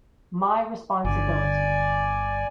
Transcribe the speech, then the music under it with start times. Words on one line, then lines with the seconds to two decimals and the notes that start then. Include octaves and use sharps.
My Responsibility!
1.05 G1 D3 D5 G#5